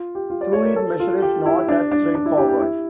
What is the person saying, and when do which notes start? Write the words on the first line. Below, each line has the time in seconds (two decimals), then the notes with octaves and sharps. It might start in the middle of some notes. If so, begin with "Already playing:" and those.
Fluid measure is not as straightforward.
Already playing: F4
0.15 G4
0.30 F4
0.41 D5
0.53 C#5
0.64 A#4
0.76 A4
1.00 F4
1.22 G4
1.46 E4
1.68 D4
1.91 D4
2.15 D4
2.26 E4
2.37 G4
2.49 G4
2.60 E4